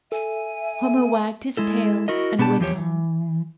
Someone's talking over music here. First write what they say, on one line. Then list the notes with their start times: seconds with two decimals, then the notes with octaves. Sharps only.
Homo wagged his tail, and went on.
0.12 A4 E5 G#5
1.57 G#3 E4 A4
2.08 E4 F#4 A#4 D#5
2.38 B2 B3 D4 G4 A5
2.60 E2 F3 G4 C#5
2.75 E3